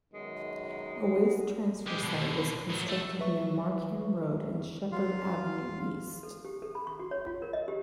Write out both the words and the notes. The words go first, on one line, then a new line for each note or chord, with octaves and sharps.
A waste transfer site was constructed near Markham Road and Sheppard Avenue East.
F#2 B2 D#3 G#3
G#3 G4
B2 D3
A2 F#3
A3 A4
F#3 B4 E5 C#6
F#3 F4 F5
A4
G4
A4
B5
C#6
F#4
C#5
F4
A#4
D#5
G4